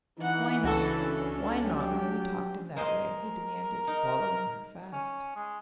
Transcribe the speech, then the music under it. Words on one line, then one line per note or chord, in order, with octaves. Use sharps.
"Why not--why not, when we talked in that way?" he demanded, following her fast.
E3 D#4 F#5
C#2 C#4 D4 F#4 A4
F#3 G4 G5
G#3 A#4 C5 D#5
D#4
C#4
G#3